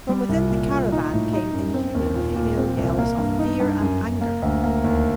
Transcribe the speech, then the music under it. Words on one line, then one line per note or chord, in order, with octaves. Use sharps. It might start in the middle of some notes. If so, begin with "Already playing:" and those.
From within the caravan came inhuman female yells of fear and anger.
G3
C2
A#2
A#2
D#4
A2
D#4
F#2
C4
D#2
A#2
A#2
C4
C2
A#3
G2
D#4
G2
F#2
F#2
A#3
D2
A#3
D#2